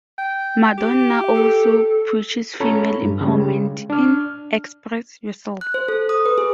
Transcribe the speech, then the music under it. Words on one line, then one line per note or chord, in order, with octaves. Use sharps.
Madonna also preaches female empowerment in "Express Yourself".
G5
G4
A4
C#4 F4 A4 C#5 A#5 B5
G2
C#3 G3 G#3
D4 F6
F#6
C5
A4
D#6
B4
G#4